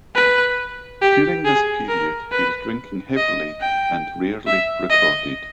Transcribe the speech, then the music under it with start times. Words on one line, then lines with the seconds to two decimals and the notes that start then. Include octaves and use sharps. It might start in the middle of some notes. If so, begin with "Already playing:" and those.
During this period he was drinking heavily and rarely recorded.
0.15 B4
1.02 G4
1.45 G#4
1.88 A#4
2.32 B4
3.17 D#5
3.61 G5
4.47 E5
4.90 D#5